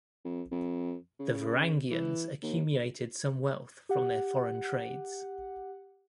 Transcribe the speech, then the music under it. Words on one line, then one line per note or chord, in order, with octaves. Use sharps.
The Varangians accumulated some wealth from their foreign trades.
F2
F2
C#3
E3
D#2
G4 F#5